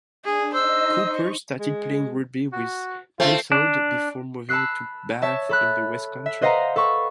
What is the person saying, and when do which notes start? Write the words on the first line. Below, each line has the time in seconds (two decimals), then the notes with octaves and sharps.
Cooper started playing rugby with Pencoed before moving to Bath in the West Country.
0.24 D4 G#4
0.54 D#4 C5 D#5 E6
1.03 C#6
1.60 G#3
2.53 F#4
3.20 A3 C4 F4
3.52 D4
4.49 A5 B5 E6 F#6 C7
5.22 C#5 E5 A5
5.49 A4 B5 F#6
6.26 E5
6.42 B4 C5 D#5 F5 F#5 A#5
6.76 A4 B5 C#6